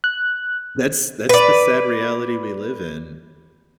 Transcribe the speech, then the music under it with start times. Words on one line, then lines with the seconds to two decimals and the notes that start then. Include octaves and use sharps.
That's that's the sad reality we live in.
0.04 F#6
1.29 B4 D5